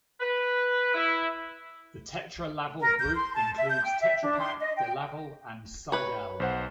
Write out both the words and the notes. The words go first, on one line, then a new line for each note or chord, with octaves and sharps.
The Tetra Laval Group includes Tetra Pak, DeLaval and Sidel.
B4
E4
A#4
G6
C6
A5
E5
G6
G5
E5
D4
C6
D#5
G5
B4 C#5
B1 C5 F#5